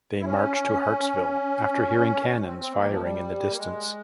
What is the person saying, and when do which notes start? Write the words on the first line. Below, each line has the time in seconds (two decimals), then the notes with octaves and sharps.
They marched to Hartsville after hearing cannons firing in the distance.
0.20 E4
0.25 C#4
2.46 C4
2.60 C4
2.74 A#3
2.82 E3
2.89 F3
3.02 G3
3.51 A#3
3.57 G#3